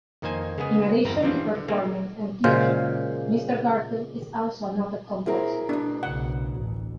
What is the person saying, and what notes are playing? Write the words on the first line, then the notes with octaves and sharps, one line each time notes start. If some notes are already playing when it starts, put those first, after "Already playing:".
In addition to performing and teaching, Mr. Garfield is also a noted composer.
F2 D#3 A#3 C5 G#5
C#3 G#3 B3 G#4
G1 E2 C4 A#4 B4 A#5
E3 F3 G3 C4 D4 F4
D3
G3 G#3 A#3 C4
A#2 C#3 F#3 G#3 C5 F5
F#3 C4 E4 G#4 A#4
D2 B2 D4
B1 C#3 F#5
A1 D2